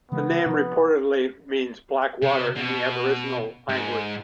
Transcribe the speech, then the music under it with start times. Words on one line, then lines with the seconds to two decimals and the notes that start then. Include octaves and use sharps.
The name reportedly means "Black water" in the aboriginal language.
0.12 C#3 E3 G#3 B3
0.46 C3 F3
2.22 C3
2.56 B2
3.69 G#2